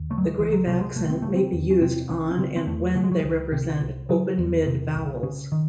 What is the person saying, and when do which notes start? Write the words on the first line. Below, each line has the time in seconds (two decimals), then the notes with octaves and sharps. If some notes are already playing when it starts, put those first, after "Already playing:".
The grave accent may be used on and when they represent open-mid vowels.
Already playing: D#2
0.10 C#3 A3
0.18 F#3
0.24 G#3
0.39 C#2 E3
0.53 F#3
0.67 C3 F#3
0.81 G#3
0.96 C2 A3
1.10 C4
1.22 C#3 A3
1.36 C4
1.53 E2
1.70 C#4
1.81 C3 C4
2.10 C2 C#4
2.31 C#4
2.38 C#3 C4
2.56 C4
2.66 E2 A3
2.95 C#3 A3
3.04 G#3
3.12 F#3
3.20 C#2 G#3
3.52 C3
3.81 C2
4.09 C#3 F#3
4.38 E2
4.67 C3
4.94 C2
5.23 C#3 C#4
5.52 D#3